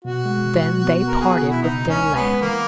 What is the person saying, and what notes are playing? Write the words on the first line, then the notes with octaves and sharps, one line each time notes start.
Then they parted with their land.
B2 F#4
G#3
B2
B2
B3
B3 A#4
B3 G#4
F#4
B2
E4
C#3 D#4
C#2
C#4
C#2
B3
G#3
E3 A#3